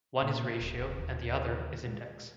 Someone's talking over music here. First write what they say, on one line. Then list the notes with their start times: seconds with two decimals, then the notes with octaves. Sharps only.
One is ratio and the other is index.
0.22 A#2
0.61 D1
0.80 E1
0.99 D#2
1.88 G#3